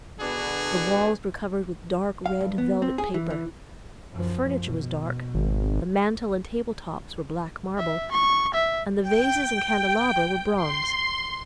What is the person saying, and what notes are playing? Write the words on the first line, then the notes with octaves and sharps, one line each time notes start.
The walls were covered with dark red velvet paper, the furniture was dark, the mantel and table tops were black marble, and the vases and candelabra were bronze.
B2 D3 B3 D4 F#4 G#4
F5
G2
B3
C4
G#4
E3
E3
F#2 F3
B2
G#1
E5
C#6
E5
G5
C6